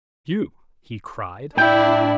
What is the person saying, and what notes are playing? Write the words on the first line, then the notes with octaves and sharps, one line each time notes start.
"You?" he cried.
A2 D4 E4 G5